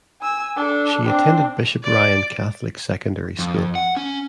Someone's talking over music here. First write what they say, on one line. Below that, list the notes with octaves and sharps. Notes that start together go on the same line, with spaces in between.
She attended Bishop Ryan Catholic Secondary School.
G#5 E6
D4 A4
C4 D4
D5
F2
F#5
C#4